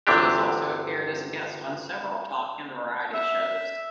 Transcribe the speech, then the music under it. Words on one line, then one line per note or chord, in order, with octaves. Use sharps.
She has also appeared as a guest on several talk and variety shows.
G1 D2 C3 E3 D4 G4
E5